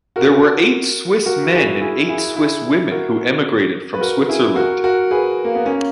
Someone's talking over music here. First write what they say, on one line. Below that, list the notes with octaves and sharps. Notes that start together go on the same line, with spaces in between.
There were eight Swiss men and eight Swiss women who emigrated from Switzerland.
F#4 A#4
F#4 A#4
F#4
E4 G#4
E4 G#4
E4 G#4
E4 G#4
F#4 A#4
B4
F#4 A#4
E4 G#4
F#4 A#4
F#4 A#4
G#4 B4
A#3
B3
A#3 C#4